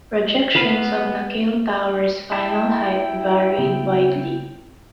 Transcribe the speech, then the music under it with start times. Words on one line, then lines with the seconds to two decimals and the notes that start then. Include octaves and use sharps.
Projections of Nakheel Tower's final height varied widely.
0.55 B3 F5 B5
2.32 E4 G5 A5
3.58 C#3 B3 C4